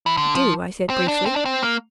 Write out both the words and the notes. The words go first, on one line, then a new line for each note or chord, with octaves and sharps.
"Do," I said briefly.
E3
D3
F3
C4
D4
C4
D4
C4
A#3